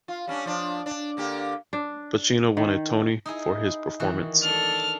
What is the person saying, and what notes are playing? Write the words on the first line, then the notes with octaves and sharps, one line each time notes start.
Pacino won a Tony for his performance.
F4
G3 C#4 D4
F3 D4
D4
D3 A#3 G4
D4
D#3
D#4 E4 G#4
D#3 E3 F#4
D4 A4 F6